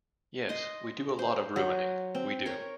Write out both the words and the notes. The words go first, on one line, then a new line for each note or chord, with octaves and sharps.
Yes, we do a lot of ruining, we do.
D#5 C6
C5
F#3
C4
A#4 C#5